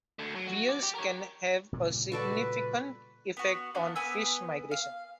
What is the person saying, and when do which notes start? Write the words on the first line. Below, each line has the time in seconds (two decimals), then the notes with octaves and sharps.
Weirs can have a significant effect on fish migration.
0.19 D2 D3
0.35 F#3
0.47 F#4
0.69 D5
0.83 G4
0.95 A#4 C#5
1.72 A#2 C#3 G3
2.12 F#4 A4 B4 D5
3.37 B3 F#4
3.75 A#3 B3 D4
3.95 B3 B4 G#5 E6
4.71 F5